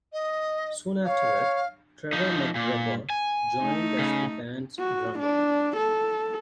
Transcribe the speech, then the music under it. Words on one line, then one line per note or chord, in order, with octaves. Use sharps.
Soon afterward, Trevor MacGregor joined as the band's drummer.
D#5
C#5 F5
F3 D#4
A#2
G#5
A3 D#4
C#3
F#4
D4
A4